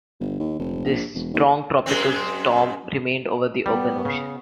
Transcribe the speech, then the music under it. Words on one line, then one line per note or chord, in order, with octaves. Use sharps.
This strong tropical storm remained over the open ocean.
G1
D#2
F1
A#1
E1
D#2
F#2 G#3 C4
G3 B3
C#3